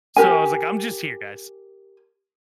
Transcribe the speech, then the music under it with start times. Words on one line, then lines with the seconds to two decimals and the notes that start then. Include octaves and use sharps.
So I was like, "I'm just here, guys,"
0.16 G4 A#4 G#5